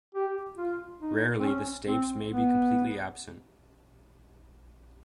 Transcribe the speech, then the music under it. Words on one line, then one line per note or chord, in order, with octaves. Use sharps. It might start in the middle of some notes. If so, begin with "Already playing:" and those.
Rarely, the stapes may be completely absent.
G4
F4
D#4
C4
C#4
C4
B3